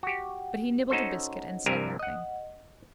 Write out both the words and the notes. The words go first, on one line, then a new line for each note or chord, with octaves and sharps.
But he nibbled a biscuit, and said nothing.
F#4 G4
C#4 D#4 F#4 A4 C5
C2 G2 C3 G3 A#4 G#5
D#5 F#5